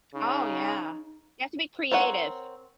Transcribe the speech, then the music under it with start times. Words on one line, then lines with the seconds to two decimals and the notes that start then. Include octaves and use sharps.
Oh, yeah, you have to be creative.
0.14 C#3 D#4
1.92 C4 A#4 C#5 F#5